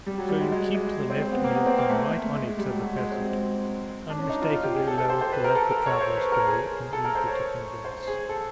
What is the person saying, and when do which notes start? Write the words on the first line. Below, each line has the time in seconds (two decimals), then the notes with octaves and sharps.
"So you keep to the left, and you'll come right on it," said the peasant, unmistakably loth to let the travelers go, and eager to converse.
0.06 G3
0.18 F#3
0.29 G3
0.41 G#3
0.52 G#3
0.74 G#3
1.10 C4
1.21 C4
1.32 B3
1.44 A#3
1.55 B3
1.66 C4
1.78 A#3
1.89 A3
2.35 G#3
2.47 G#3
2.58 G3
2.70 F#3
2.81 F#3
2.97 G#3
3.11 C4
4.10 D4
4.18 C#4
4.30 D#4
4.41 F4
4.52 F4
4.63 G4
4.75 G#4
4.87 A4
4.98 A4
5.09 C5
5.21 C5
5.32 B4
5.44 A#4
5.55 A4
5.70 A#4
5.86 C#5
6.01 C5
6.17 B4
6.32 A#4
6.47 G#4
6.93 A4
7.05 A#4
7.15 C5
7.27 C#5
7.85 C5
8.07 G#4
8.29 A4